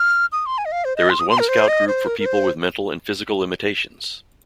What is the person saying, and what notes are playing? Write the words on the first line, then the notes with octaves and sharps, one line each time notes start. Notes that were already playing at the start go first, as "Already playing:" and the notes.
There is one Scout group for people with mental and physical limitations.
Already playing: F6
D#6
C6
G#5
D#5
F5
C5
D#5
C6
D#6
C6
A#4
C5
D#5
C5
A#4
A#4
C5